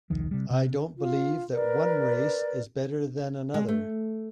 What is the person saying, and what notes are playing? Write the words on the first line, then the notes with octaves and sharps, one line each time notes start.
I don't believe that one race is better than another.
E1 C2 D#3 F3
C3 G3
C3
F4
A#4 B4 D5
G#3
A3